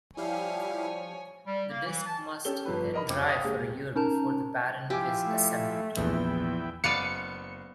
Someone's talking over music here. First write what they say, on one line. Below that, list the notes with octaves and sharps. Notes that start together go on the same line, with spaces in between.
The disk must then dry for a year before the baren is assembled.
F3 G3 E4 G4 C#5 F5 G#5
G3
A#3
E3
A5
C#4 G4 A4 G7
G1 F3 A4 B4
A#4 D#5 B5
F1 C3 C4 D6
C#5 F5 G5 D#6
G#3 A#3 G4 G#4
C#4 D#4 A#4 A5 A#5
F3 E4 G4 G#5 D6
A3
A#1 E2 B3 E4 G5
F#1 B3 D5 F5 C#7 D#7